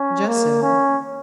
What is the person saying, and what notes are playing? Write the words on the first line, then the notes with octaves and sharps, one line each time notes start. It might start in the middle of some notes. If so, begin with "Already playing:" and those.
"Just so."
Already playing: C#4
A#3
C#4